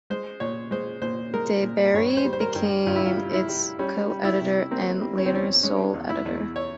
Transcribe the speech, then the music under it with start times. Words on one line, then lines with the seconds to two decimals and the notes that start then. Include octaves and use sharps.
De Bary became its coeditor and later sole editor.
0.10 G#3 C5
0.40 A#2 C#5
0.71 G#3 C5
1.02 A#2 C5
1.34 G#3 A#4
1.63 A#2
1.94 G2 C#5
2.17 C5
2.25 G3
2.33 C5
2.40 A#4
2.56 G2
2.87 G2 F4
2.96 E4
3.06 F4
3.17 G3
3.33 E4
3.49 G3
3.79 G3 C#4
4.10 G3
4.25 E4
4.41 C3
4.71 A#3 C4
5.02 G3
5.18 C#4
5.26 C4
5.32 E2 C#4
5.63 G#3 C#4
5.94 E2
6.09 E4
6.26 E2
6.56 C#5